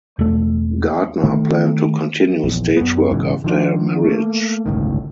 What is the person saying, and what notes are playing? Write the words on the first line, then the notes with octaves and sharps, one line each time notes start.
Gardner planned to continue stage work after her marriage.
E1 A3
D#3 A3
A#1 E2
F#2 B3
B1 G#2 C#3 E3
D#3 F3 D4
A3 A#3
G1 C#2 A2 D#3